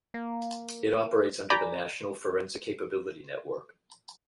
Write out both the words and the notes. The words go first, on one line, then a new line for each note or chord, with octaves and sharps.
It operates under the national Forensic Capability Network.
A#3
D5 G#5 A#5 B5 D6 G6